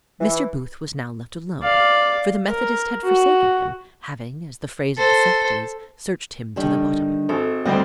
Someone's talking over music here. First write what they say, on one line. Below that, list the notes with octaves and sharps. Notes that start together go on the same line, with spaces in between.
Mr. Booth was now left alone; for the methodist had forsaken him, having, as the phrase of the sect is, searched him to the bottom.
E3
D5 F5
A#4
F#4
A4 C5
D3 D#3 G3
G#1 A4
D2 G3 C4 D#5